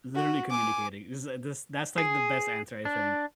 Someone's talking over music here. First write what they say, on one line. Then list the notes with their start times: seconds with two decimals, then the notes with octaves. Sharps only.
Literally communicating, this, uh this that's, like, the best answer, I think.
0.15 F#4
0.50 G#5 D6
1.98 G#4
2.85 D4